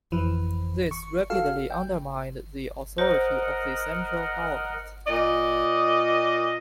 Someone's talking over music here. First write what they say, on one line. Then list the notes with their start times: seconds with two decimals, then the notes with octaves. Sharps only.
This rapidly undermined the authority of the central government.
0.12 F2 E3
0.91 C#6
1.30 F#4 A4 F5
1.70 G5
2.98 A#4 C5 D#5 F#5
5.07 A#2 D5 D#5